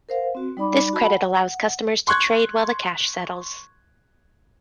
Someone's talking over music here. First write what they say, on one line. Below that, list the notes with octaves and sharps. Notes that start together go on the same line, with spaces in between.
This credit allows customers to trade while the cash settles.
A#4 C5 F5 F#5
C4 F#4
G3 D#4 D5 B5 D6
F#4 A5 B5
F#5
C6 C#6 F#6 G#6